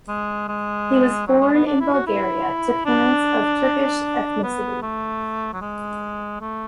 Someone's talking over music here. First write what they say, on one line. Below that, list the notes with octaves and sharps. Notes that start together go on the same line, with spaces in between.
He was born in Bulgaria to parents of Turkish ethnicity.
G#3
G#3
F#3
G#3
B3
D4
E4
F#4
E4
D4
B3
A3
F#3
G#3
A3